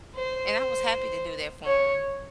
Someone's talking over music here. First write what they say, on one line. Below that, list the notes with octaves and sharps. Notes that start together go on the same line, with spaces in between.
And I was happy to do that for him.
C5
C#5